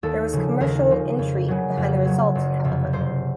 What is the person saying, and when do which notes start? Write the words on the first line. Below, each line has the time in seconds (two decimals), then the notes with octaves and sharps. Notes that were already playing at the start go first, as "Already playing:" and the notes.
There was commercial intrigue behind the result, however.
0.03 D#2 A4
0.33 C#3 F3
0.60 D#2 A#4
0.90 C#3 F3
1.18 F2
1.48 C#3 F#3
1.77 F2
2.05 C#3 F#3
2.35 F#1
2.64 F2 C3 F3
2.93 F#1 C5